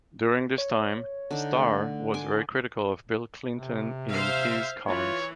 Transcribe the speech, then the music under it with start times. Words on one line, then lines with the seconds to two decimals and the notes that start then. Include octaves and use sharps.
During this time, Starr was very critical of Bill Clinton in his columns.
0.58 C#5
1.31 D3 D#4
1.58 A3
2.14 G#5 C6 D6
3.53 C3
4.11 C5 E5 F5
4.86 E3 F4 C#5